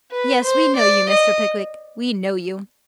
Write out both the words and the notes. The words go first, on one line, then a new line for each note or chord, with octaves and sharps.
Yes; we know you, Mr. Pickwick; we know you.'
B4
C5
D5
D#5